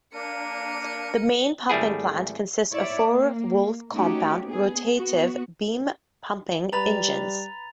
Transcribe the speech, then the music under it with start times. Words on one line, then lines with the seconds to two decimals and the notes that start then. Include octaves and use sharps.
The main pumping plant consists of four Woolf compound, rotative, beam pumping engines.
0.14 A#3 D4 A#4 C#7 D#7
1.70 G#1 G3 A3 E4 G#4
2.72 E4 C#5 D5 E5
3.02 A#3
3.92 A3 C#4 D#4 F#4 G4
4.46 B3 G#4
4.95 B3 F#4
6.73 G3 B4 A#5 B5 A6 F7